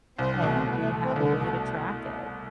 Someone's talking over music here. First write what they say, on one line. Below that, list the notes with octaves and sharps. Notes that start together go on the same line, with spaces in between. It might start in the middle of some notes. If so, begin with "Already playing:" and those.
and we have a way to track it,
C2 C4
D4
B2 A3
C4
C2 B3
A3
B2 A3
C4
C2 D3
B2 A3